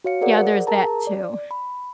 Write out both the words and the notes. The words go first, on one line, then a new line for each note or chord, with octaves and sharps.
Yeah, there's that too.
F#4 C#5 F5 C#7
G#4 A#4 C5 D5 F#5
G#4 A#4 A5 A#5
D5
B5